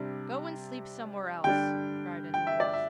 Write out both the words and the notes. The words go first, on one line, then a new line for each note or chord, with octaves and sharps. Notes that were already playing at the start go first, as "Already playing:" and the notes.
"Go and sleep somewhere else," cried Enjolras.
Already playing: C3 G3 D4
D3 G3 D4 G5
G5
E5
D5
E5